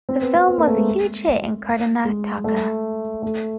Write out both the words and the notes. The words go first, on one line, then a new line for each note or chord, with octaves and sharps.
The film was a huge hit in Karnataka.
C4
B3
C4
B3
A#3
A3
G#3
G#3
A3
A3